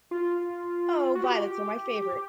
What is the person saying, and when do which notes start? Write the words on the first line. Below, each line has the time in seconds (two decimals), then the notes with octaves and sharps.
Oh violets are my favourite!
0.11 F4
1.15 F#4
1.23 G4